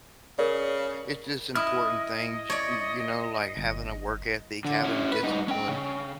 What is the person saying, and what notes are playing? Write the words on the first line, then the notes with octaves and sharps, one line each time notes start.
it's just important things, y y you know, like having a work ethic, having discipline,
C#3 A#4 D5
E4 D#5 D#6 F6
C#5 D5
G1
D3
C#4 E4
B4
G2 D#4
C#4 G5
C#3